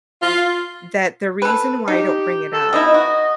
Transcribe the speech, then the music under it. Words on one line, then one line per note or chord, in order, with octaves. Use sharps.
that the reason why I don't bring it up
F4
A4 B4
D#4 G4
A4
B2 D#4 E4 D#5
F#4